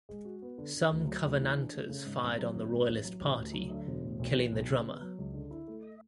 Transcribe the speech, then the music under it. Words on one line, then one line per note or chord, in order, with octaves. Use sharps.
Some Covenanters fired on the Royalist party, killing the drummer.
G#3
F#4
B3
D3
D3
D2
F#3
D2
E3
D4
A3
C#3
G#2
G#1
F#3
G#1
G#2
A1
F#3
A1
D2
F#3
D3
E1
A2
B1
E3
B1
C#3
B3
F#3
C#2
D3
E4
A3